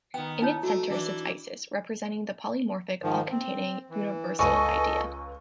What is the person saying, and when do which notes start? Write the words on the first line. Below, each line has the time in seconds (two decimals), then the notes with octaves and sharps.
In its centre sits Isis representing the polymorphic all-containing Universal Idea.
0.14 D#3 B3 G5
0.42 D#4 E4 C#5
0.63 A3 F#4
0.90 E3 D4
3.03 G#2 D#3 F3
3.30 C4
3.90 E3
4.39 C#2 A4 B4 D#5 G#5 C#6